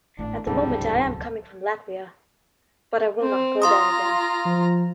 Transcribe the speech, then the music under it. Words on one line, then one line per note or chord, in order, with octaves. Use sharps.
At the moment I am coming from Latvia, but I will not go there again.
G#1 A2 D4
D1 C2 G#2 C#3 F#3 G3 A4
C4
F4 F5 A#5 C6 D#6
F3